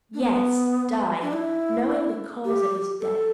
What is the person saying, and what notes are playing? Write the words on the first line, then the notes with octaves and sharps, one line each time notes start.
Yes, die, knowing the cause of his death.
D4
B3
D4
E4
G4
A4